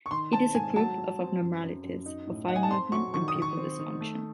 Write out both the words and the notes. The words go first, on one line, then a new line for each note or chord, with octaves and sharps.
It is a group of abnormalities of eye movement and pupil dysfunction.
C#6
D#3 C6
C4 A5
G#2 G#5
F#3 A5
F#3
C4
F#2
F#2
F#2
D#4
A2
D#4 F#5
G#5
A5
C4 C6
F#3 C#6
D#3 C#6
D#6
D#3
C#6
C4
D#3
A3